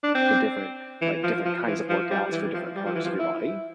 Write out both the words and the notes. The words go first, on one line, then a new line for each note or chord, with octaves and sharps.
the different like, different kinds of workouts for different parts of your body?
D4
C4
E3
F3
F3
E3
F3
G3
E3
F3
G3
F3
E3
F3
E4